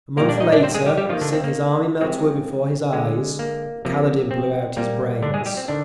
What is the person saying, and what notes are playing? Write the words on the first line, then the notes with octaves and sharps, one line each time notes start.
A month later, seeing his army melt away before his eyes, Kaledin blew out his brains.
A#2 G3 A#3 A#4
D4 D5
D#4 D#5
D4 D5
C4 C5
G#3 G#4
G3 G4
G3 G4
D#3 F3 A#3 F4
D3 D4
C4
A#3
C3 F3 G#3 C4
D3 G#3
A#3
C3 F3 A#3
C4
A#2 G3 A#3
D3 D4
G#3 G#4
G3 G4
C4
D3 D#3 D4